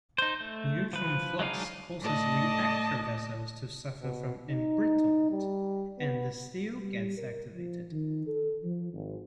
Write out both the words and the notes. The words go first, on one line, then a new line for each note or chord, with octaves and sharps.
Neutron flux causes reactor vessels to suffer from embrittlement and the steel gets activated.
D#4 C5
A3
F3 B4
F#3 G#3 D4 D#4 F5
A2 D5 D#5 A5 A#6
B2
D#4
G3
B3
G3
A#4
F3
D#3
A4
F3
G#1